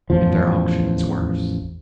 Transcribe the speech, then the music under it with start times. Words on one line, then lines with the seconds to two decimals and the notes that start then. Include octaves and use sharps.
And their auction is worse.
0.10 A1 E2 F3